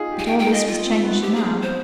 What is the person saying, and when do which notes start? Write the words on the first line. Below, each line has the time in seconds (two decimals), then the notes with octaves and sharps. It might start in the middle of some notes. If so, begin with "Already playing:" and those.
But all this was changed now.
Already playing: D#4 F4 G#4
0.12 G4
0.19 G#5
0.26 G5
0.39 G5
0.53 D#5
0.67 D#4 F4
0.85 C4
1.03 B3
1.21 C4 G4
1.36 G#4
1.63 C5